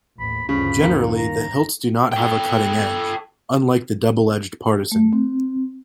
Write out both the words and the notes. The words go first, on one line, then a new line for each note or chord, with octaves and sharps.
Generally, the hilts do not have a cutting edge, unlike the double-edged partisan.
A1 D#2 B5
D2 G2 C#3 F3 B5
G2 D#3 A#3
A#5
A4 G5
A3
C4